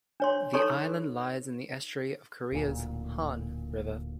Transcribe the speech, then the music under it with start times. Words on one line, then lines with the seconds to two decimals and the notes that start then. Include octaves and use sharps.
The island lies in the estuary of Korea's Han River.
0.20 D4 C#5 C6
0.54 D#4 A4 C#5 A#5 C6 C#6
2.52 D1 A#2